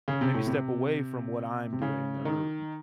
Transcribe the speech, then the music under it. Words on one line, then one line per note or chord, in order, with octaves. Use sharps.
maybe step away from what I'm doing, or
C#3
C3
A2
C3
C3
C#3
D#3